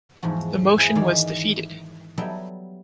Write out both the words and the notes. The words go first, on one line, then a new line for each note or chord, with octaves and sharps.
The motion was defeated.
E2 G#2 F3 F#4
E4 G#4 C5
D#3 E3 C#5 D5 F5
F#3 G3 B3 A4 E5 G5